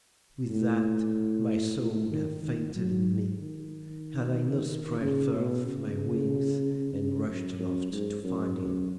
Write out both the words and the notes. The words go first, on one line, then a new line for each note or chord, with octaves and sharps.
With that my soul would have fainted in me, had I not spread forth my wings and rushed aloft to find him.
A2
A2
D#3
D#3
F#3
D#3
C#3
B2
C#3
C#3
F#2
F#2
G#2
F#2
F#2